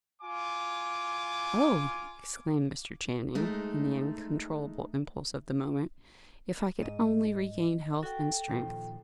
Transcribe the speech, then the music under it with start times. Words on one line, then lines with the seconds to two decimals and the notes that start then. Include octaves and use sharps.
"Oh!" exclaimed Mr. Channing, in the uncontrollable impulse of the moment, "if I could only regain health and strength!"
0.22 F4 G#5 D6
3.35 G#3 A3 D#4
6.82 G#2 D#5
8.03 F#4 A4 G5
8.48 A#2 D#3 F3